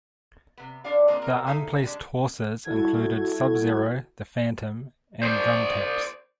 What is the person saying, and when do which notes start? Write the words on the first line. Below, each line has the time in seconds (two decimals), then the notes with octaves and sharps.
The unplaced horses included Subzero, The Phantom and Drum Taps.
0.58 C3 B3
0.84 D3 D4 D5 F5
1.08 G#3 A#3 C4 D4 F4 D5
1.22 C4 A#4 A#5
1.46 D#4 A4 E5 F5 G#5
1.83 G3 G#3 D4
2.64 G3 E4 F#4 A4 G#6
5.23 C5 D5